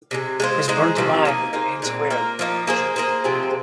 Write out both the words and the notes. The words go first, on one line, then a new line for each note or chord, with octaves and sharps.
He was burnt alive in the main square of Birgu.
C3 D#3 G#3
G#3 F4 C5
G#3 D#4 G#4 C5
C3 F3 C4
A#3 D#4 G#4
A#3 D#4 G#4 C5
A#2 G#3 C4
A#3 F4 A#4
F3 A#3 D#4
A#3 G#4 C5
A#3 G#4 C5
C3 F3 G#3 C4